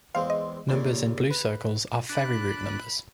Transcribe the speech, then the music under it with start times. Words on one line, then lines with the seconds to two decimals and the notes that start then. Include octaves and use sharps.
Numbers in blue circles are ferry route numbers.
0.15 E2 G#3 C4 F5
0.30 D#5
0.69 D#2 A#2 C#3
1.30 B4
2.09 D4 B5 F#6